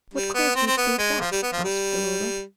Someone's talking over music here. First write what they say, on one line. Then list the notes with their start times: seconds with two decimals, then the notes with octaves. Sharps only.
"What caused you to think that?" asked the Ruler.
0.14 G3
0.34 B3
0.56 C4
0.67 C4
0.77 B3
0.99 G#3
1.21 F3
1.32 G3
1.43 B3
1.52 F3
1.64 G3